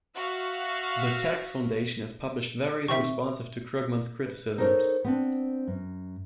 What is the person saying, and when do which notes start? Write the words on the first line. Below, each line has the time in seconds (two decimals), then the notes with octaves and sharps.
The Tax Foundation has published various responses to Krugman's criticisms.
0.15 F#4 E5 F5
2.88 C3 D#3 C4 E5 C#6
4.26 B4
4.58 D#4 A4 A#4 C5 C#5
5.05 B3 C4 D4
5.67 F#2